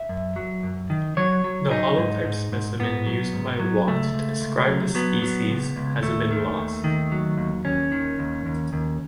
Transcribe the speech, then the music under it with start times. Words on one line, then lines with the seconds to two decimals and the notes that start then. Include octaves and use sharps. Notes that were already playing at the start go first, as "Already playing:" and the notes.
The holotype specimen used by Watt to describe the species has been lost.
Already playing: E5
0.09 F#2
0.36 F#3
0.63 F#2
0.90 D#3
1.17 F#3 C#5
1.44 F#3
1.71 F#3 D#4
1.98 G#2
2.25 G#2
2.52 G#2
2.80 G#2 B3
3.06 F#3
3.33 G#2
3.60 F#3
3.87 C#2 A3
4.14 C#2
4.41 C#2
4.68 F#3
4.95 F#3 B3
5.22 F#3
5.49 C#2
5.76 C#2
6.03 D#2 A3
6.30 D#3
6.57 D#2
6.84 D#3
7.12 F#3
7.38 D#2
7.65 D#2 C#4
7.92 D#3
8.19 D#2
8.46 D#2
8.73 D#2